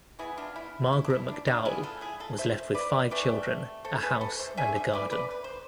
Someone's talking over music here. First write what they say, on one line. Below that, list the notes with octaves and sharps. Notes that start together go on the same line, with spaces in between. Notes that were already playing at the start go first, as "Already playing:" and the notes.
Margaret McDowell was left with five children, a house and a garden.
E3 B3 E4 G#4
D4 F4
E4
E4
D4
E4
D4
D4 F4
D3 G#3 B3 E4 G#4
F4 A4
E4 G#4
F4 A4
C5 E5
B4 D5
C3 E3 A3 B4 D5
A4 C5
G#4 B4
A4 C5
C5 E5
D3 A3 C4 E5 G#5
C5 E5
B4 D5
B4 D5
B4
C5